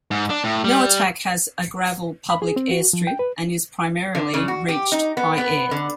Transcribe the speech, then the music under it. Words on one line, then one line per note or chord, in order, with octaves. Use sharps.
Noatak has a gravel public airstrip and is primarily reached by air.
G#2
D4
A2
G3
B5
G#4
C4
F#4
F3
G5
B4
D3
C#3
F#4
G4
D#4
B3
B3
D3